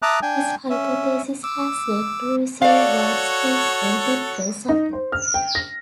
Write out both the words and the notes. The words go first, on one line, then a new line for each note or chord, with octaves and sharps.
His hypothesis has yet to receive widespread empirical support.
E5 A5 A#5 D6 D#6 F#6
D4 G5 G#5
C#4 E5
D6 E6
F#4 A4 C#5 D5 F5
D#4
C5
F6
G5
A#6